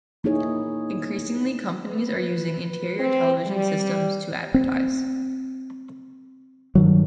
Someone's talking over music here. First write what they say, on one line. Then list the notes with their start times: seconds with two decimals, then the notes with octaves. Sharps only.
Increasingly, companies are using interior television systems to advertise.
0.24 A#3 D#4 E4 G#4 C#5
1.90 B4
2.99 C4
3.46 G3
4.54 C4
6.75 G2 D#3 F#3